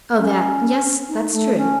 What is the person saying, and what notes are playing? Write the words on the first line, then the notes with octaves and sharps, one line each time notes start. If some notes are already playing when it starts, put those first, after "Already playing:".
"Oh, that,--yes, that's true."
C#4
D#4
A3
C#4